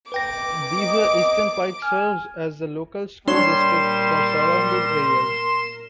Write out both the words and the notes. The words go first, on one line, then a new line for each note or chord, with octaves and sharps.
Beaver Eastern Pike serves as the local school district for surrounding areas.
B4 G5 D6 A#6
D#5
G#5 F6
A#2 G3 D4 A#4 C#5 C6 E7